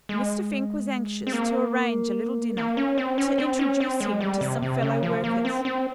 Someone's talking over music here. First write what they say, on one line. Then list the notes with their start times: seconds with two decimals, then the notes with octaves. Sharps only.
Mr. Fink was anxious to arrange a little dinner, to introduce him to some fellow workers.
0.09 G#3
1.27 C4
1.33 A#3
2.57 A#3
2.77 C#4
2.98 C4
3.18 C#4
3.38 C4
3.59 C#4
3.80 C4
4.00 G#3
4.20 G3
4.41 C3
4.62 C3
4.83 C#3
5.03 F3
5.24 A#3
5.45 C4
5.65 C4